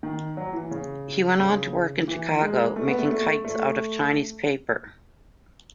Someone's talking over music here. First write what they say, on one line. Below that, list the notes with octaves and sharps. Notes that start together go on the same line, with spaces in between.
He went on to work in Chicago, making kites out of Chinese paper.
D#3
F#3
E3
C#3
C#3
E3
G#3
A3
B3
A3
A3
A3